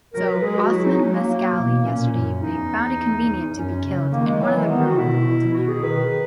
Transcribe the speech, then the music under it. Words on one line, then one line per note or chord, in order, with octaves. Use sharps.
So, Osman Mascali yesterday evening found it convenient to get killed in one of the room of the Golden Mirror.
F#3 A#4
B4
G#3 G#4
F#4
F#3 E4
D#4
C#4
A#3
A#3
B2
A#2 C#4
F#2
E2 D#4
E2
F#2 C#4
C#3
D#3 A#3
G#3
E3 F#3
G#3
D#3 B3
F#4
B2 E4
F#4
G#4
D#3 B4